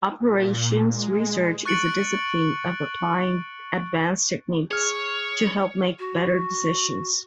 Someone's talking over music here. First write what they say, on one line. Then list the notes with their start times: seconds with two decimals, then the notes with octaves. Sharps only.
Operations research is a discipline of applying advanced techniques to help make better decisions.
0.18 A#2
0.90 G#3
1.65 C#6 F#6 A6 C#7 D7 F#7
4.71 G#4 C#5 F6
5.99 F#4